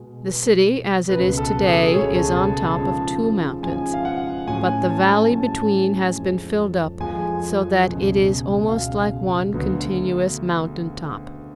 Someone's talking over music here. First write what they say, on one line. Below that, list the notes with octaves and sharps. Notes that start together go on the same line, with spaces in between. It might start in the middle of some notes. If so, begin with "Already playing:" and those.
The city as it is today is on top of two mountains, but the valley between has been filled up so that it is almost like one continuous mountain top.
Already playing: B2 G#3 B3
B2 G#3 B3
C#2 B2 F#3 B4
A4
G#4
C#2 B2 F#3 C#5
A5
A5
A5
G#2 F3 G#3 C#4 A5
G#2 F3 G#3 C#4 G#5
F5
F#5
A2 F#3 C#4 G#5
A5
A2 F#3 C#4 A5
F2 F3 G#3
F2 F3 G#3 G#5
C#2 B2 F#3
C#2 B2 F#3 F5
D2 D3 F#3 B3